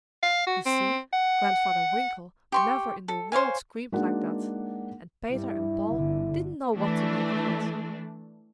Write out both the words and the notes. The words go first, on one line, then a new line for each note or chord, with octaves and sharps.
You see, Grandfather Winkle never in the world screamed like that, and Peter and Paul didn't know what to make of it.
F5
F#4
C4
F#5
G4 C6 C#6
A4
C5 C#5 F5 G#5
G#3 A#3 D4 D#4 F#4 F#5
G2 E4
G1 D3
E3 A3 D4